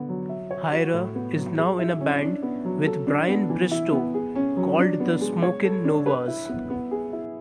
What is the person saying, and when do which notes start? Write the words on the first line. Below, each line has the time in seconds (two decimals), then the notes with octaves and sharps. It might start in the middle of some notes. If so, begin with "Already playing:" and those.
Hyra is now in a band with Brian Bristow called the Smokin' Novas.
Already playing: D3 B3
0.09 F#3
0.29 E5
0.51 C#5
0.72 F#4
0.93 A2
1.15 B3
1.36 F#3
1.58 G#4
1.79 E4
2.01 C#4
2.22 D4
2.42 B3
2.65 F#3
2.86 A4
3.07 D4
3.28 B3
3.50 E3
3.71 E4
3.92 B3
4.14 G#4
4.35 C#4
4.57 F#3
4.79 D4
5.00 B3
5.21 G#3
5.42 C#5
5.64 A4
5.84 D4
6.06 B4
6.28 E4
6.49 B3
6.70 B3
6.91 G#4
7.13 E4